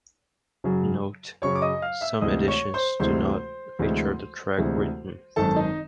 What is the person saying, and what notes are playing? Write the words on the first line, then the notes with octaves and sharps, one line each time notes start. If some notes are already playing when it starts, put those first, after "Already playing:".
Note: Some editions do not feature the track "Written".
F#2 C#3 F#3
F#2 C#3 F#3 C#5 C#6
D6
D#5 D#6
F5 F6
E5 E6
D2 C3 E3 G#3 D#5 D#6
C#5 C#6
C5 C6
D2 C3 E3 G#3 C5 C6
D2 C3 E3 G#3
D2 C3 E3 G#3
G#1 F#2 D#3 A4 A5
D#4 D#5